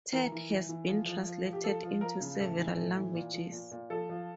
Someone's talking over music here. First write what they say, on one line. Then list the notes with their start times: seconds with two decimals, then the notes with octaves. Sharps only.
Ted has been translated into several languages.
0.13 E3 A#4
0.32 E3
0.50 E3
0.69 E3
0.88 F3
1.07 F3
1.25 F3
1.45 F3
1.53 G4
1.64 F3 A4
1.83 F3
2.01 F3 A#4
2.20 C#3
2.40 A2 A4
2.58 E3
2.77 A2
2.96 E3
3.14 A#2
3.34 F3
3.52 A#2
3.71 A#2
3.90 F3 A4
4.10 F3